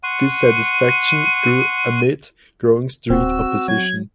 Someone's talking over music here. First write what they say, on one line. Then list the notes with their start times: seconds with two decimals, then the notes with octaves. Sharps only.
Dissatisfaction grew amid growing street opposition.
0.03 F#5 C6 C#6 D#7
3.10 D1 C4 F#4 E6
3.68 F#3 G#6